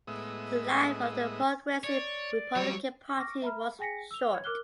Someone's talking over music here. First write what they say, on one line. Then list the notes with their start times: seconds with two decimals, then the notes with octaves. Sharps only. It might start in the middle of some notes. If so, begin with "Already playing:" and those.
The life of the Progressive Republican Party was short.
0.07 A2 G#3 B3 D#5 E5
1.84 C#5 D5
2.56 F#3 G3 C#5
3.17 C#6 D6 F6 A#6
3.42 E5 A#5 B5 F6
3.79 G#4 G5 G#5 A#6 B6 C#7
4.11 E6 F7
4.32 C#5 G#6
4.44 A#4 D6 F6 F#6 G7